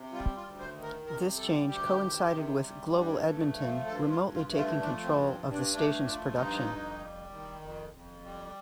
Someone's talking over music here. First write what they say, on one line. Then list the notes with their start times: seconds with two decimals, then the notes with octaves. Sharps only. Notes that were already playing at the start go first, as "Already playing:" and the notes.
This change coincided with Global Edmonton remotely taking control of the station's production.
Already playing: C3
0.12 G3 F4
0.36 F4
0.44 D2
0.59 C5
0.75 D#3
0.83 A#4
1.06 C3 A#4
1.37 G3 A4
1.68 D2 G4
1.99 D#3
2.31 C3
2.62 G3
2.93 G2
3.24 A3
3.56 F3
3.86 G2 A4
4.10 F4
4.18 G2
4.34 F4
4.49 A3
4.56 F4
4.80 F3 D4
5.04 C4
5.11 G2
5.27 C4
5.43 G2
5.51 D4
5.74 A3 D4
6.05 F3 D4
6.37 G2 D#4
6.67 F2
6.99 G3
7.30 D#3
7.61 F2
7.92 F2
8.23 G3